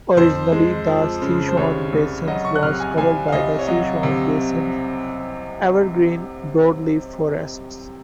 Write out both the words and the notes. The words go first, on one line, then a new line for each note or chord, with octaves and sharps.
Originally, the Sichuan Basin was covered by the Sichuan Basin evergreen broadleaf forests.
F2 C5
G#3
F3
C#3
C5
C2 C#5
C2
F#3 D#5
C#6
F#6
C3 F6
G#5
C2 G#5
F5
C2 D#5
C#5
F#3 D#5
C3